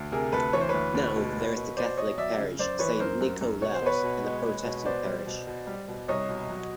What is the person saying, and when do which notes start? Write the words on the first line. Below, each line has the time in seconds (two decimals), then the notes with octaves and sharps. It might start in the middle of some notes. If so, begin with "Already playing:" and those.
Now there is the Catholic parish "Saint Nikolaus" and a Protestant parish.
Already playing: D2
0.12 C3 G#4 A#4
0.32 D2 A4 B4
0.53 E3 C#5
0.61 C5
0.69 D2 B4 C#5
0.94 D2
1.16 B2
1.36 A#3
1.57 B2
1.76 B2 C5 D5
1.97 B2 C#5 D#5
2.17 F#3 D5 E5
2.38 C#3
2.59 F#2 C5 D5
2.79 E3 B4 C#5
2.99 F#2 A#4 C5
3.21 F#2
3.41 F#2
3.61 B2 C#5
3.74 C5
3.82 B3 B4 C#5
4.03 B2
4.23 G#3
4.45 G#3
4.64 B2
4.85 B3 C5 D5
5.05 G3
5.26 B2
5.47 B2
5.67 G3
5.88 B2
6.08 C2 C#5 D#5
6.29 B2
6.50 F#3